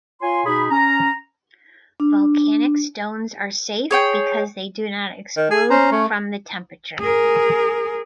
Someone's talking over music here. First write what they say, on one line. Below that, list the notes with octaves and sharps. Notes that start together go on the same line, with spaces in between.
Volcanic stones are safe because they do not explode from the temperature.
F4 C#5 G#5 C6
B2 D#4 G#4 B5
C#4 A#5
D4
G#4 C#5 G5
D#3
G#4
C#4 C5 A#5
A3 C#4
G#4 A#4